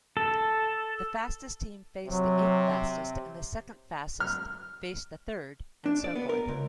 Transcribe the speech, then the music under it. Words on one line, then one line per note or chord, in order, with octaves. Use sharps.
The fastest team faced the eighth-fastest, the second-fastest faced the third, and so forth.
A4
C3 F#3
F6
D4
D5
B3
A#4
C#2